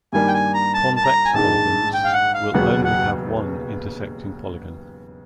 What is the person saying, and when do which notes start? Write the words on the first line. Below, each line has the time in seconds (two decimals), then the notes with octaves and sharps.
Convex polygons will only have one intersecting polygon.
0.13 G2 D#3 G3 A#3 D4 G#5
0.28 G5
0.34 G#5
0.54 A#5
0.74 A5
0.96 A5
1.04 A#5
1.25 G#5
1.34 A#1 G#2 D#3 G#3 A5
1.94 G5
2.04 F5
2.13 F#5
2.34 F5
2.54 E1 D#2 C#3 F#3 B3 F#5
2.85 F#5